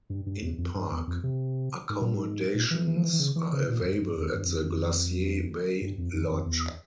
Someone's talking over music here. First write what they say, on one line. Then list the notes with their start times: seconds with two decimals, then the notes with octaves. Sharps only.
In-park accommodations are available at the Glacier Bay Lodge.
0.10 G2
0.26 G2
0.42 E2
0.58 F2
0.75 G2
0.91 E2
1.07 F2
1.23 C3
1.89 G#2
2.02 A#2
2.14 G#2
2.54 A#2
2.71 E3
2.87 E3
2.96 F3
3.03 E3
3.13 E3
3.20 C#3
3.36 E3
3.52 C#3
3.68 A#2
3.80 F2
3.85 G2
4.01 G2
4.17 E2
4.34 G2
4.44 F2
4.55 E2
4.65 F2
5.81 G2
5.98 F2
6.14 F2
6.30 F2
6.46 E2